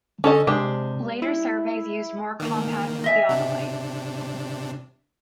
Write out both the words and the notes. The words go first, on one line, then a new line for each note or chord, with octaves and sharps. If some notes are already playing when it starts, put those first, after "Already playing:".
Later surveys used more compact theodolites.
D3 C#4 A4 D#5
C3 G#3 D4 G4
E4
D#3 A#3
D#5 E5 G#5
C3 D4